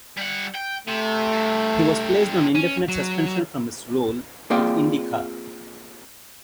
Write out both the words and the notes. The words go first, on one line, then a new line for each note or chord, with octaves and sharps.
He was placed on indefinite suspension from his role with IndyCar.
G3 F#5
G5
C3 A3
G2 C3
C#4
F#3
A#3 C4 F4 G#4 D5 G5